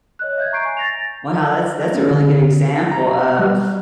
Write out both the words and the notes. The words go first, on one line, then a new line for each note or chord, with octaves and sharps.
Wow, that's that's a really good example of
C#5 D#5 F#6
E5 G6 G#6
A#5 C#6 G6 C7 D7
G#5
A6 A#6 F7
C#4
D3
A#5
G3